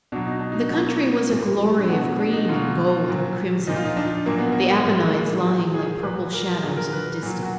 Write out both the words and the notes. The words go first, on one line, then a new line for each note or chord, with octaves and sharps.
The country was a glory of green and gold and crimson, the Apennines lying like purple shadows in the distance.
B2 F#3 D4
D#4
D4
D#4
B2 F#3 B3
A#3
A#3
A#2 F3 A#3
D4
B2 F#3 B3
D4
D#4
B2 F#3 F4
A#2 F#3
A#2 F3 D#4
F4
D#4
D4
A#2 F#3 A#3
B3
A#3
A#2 F3 A#3
G#3
A#3
A#2 F3
G#4
A#2 F#3 B4
A#4
A#2 F#3 G#4
A#4
B4
A#2 F#3
F#4